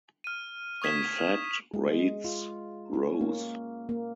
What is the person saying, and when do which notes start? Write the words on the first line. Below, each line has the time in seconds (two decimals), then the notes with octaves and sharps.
In fact, rates rose.
0.24 F6 D#7
0.82 C#6 D#6 G#6 B6 E7
1.74 G#3
2.24 F4
2.93 C#4
3.21 A#3
3.89 A#3